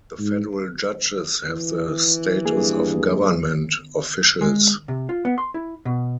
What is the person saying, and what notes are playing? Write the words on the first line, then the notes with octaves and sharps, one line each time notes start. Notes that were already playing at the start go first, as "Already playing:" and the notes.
The federal judges have the status of government officials.
G#2
E3
G2 A#3 G#4
G#3
C3
F4
B3
C6
E4
B2